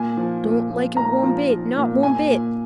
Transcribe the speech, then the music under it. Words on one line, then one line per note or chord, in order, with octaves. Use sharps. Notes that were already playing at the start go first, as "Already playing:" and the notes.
Don't like it one bit, not one bit!
Already playing: A#2 G#5
F3
A#2
F3
A#2 A#5
F3
F3
A#2
A#2 G#5
A#2